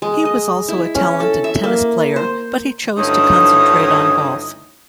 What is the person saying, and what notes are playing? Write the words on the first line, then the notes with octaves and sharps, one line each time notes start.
He was also a talented tennis player, but he chose to concentrate on golf.
G#3
D#5
E4
C#4
A4
E5
A#3
C5
D2 G2 C#4 D#4 E4 D#5